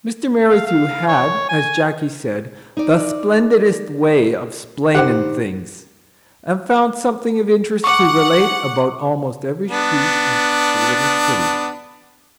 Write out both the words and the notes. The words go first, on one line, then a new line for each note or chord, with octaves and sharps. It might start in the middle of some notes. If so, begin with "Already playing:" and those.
Mr. Merrithew had, as Jackie said, "the splendidest way of splaining things," and found something of interest to relate about almost every street of the little city.
F5
F5
C#5
G#5
D#4 D5
G2 D#3 G4 C5 F#5
F#5 C#6 D6
B3 D4